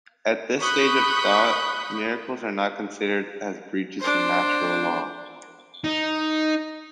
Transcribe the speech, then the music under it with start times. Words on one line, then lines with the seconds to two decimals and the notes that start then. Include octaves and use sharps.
At this stage of thought, miracles are not considered as breaches of natural law.
0.61 B5 C#6 D#6 F#6 G6 B6
4.00 D4 C5
5.84 D#4